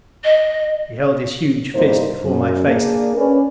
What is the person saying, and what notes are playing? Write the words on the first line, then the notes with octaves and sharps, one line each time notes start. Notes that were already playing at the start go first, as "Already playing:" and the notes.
He held his huge fist before my face.
D#5
G2 C3 A#3 D#4 E4 C5
F#2
A#3 D4 G#4
C#4 B4 D5